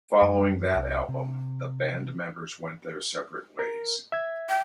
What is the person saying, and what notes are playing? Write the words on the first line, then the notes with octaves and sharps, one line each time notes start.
Following that album, the band members went their separate ways.
F#2
C2
C3
A#4
E5 G#6
G5